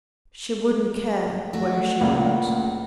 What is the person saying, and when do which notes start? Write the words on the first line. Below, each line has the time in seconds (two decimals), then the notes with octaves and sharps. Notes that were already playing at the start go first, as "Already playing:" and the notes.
She wouldn't care where she went.
1.53 A3 D4 F#4
2.01 C#2 A#2